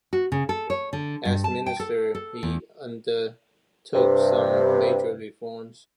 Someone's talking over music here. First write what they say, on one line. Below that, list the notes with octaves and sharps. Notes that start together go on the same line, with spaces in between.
As Minister he undertook some major reforms.
F#4
C#3
A4
C#5
D3
G2
A5
G5
A4
A4
E2
G2 C3